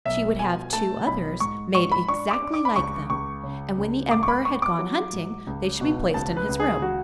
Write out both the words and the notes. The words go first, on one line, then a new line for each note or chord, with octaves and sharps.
She would have two others made exactly like them, and when the emperor had gone hunting they should be placed in his room.
B1 E5
B2 G#5
A3 A5
B1 B5
G#2 C#6
G#2 C#6
B5
D4 C#6
D6
D4
D6
B5
C#2 C#6
C#2 C#6
C#3
C#2
G#2 D6
C#6
B5
B3 C#6
D6
F#3
G#2
C#2
B2
C#2 A5
B4
C#2
G#4
F#4